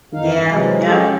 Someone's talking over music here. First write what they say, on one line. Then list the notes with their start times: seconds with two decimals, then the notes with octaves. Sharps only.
Yeah, yep.
0.14 F2 D#3 D#4 F5
0.34 G2 D#3
0.49 C3 E3 F#3 G#3
0.85 G#3 C#4 G4 A4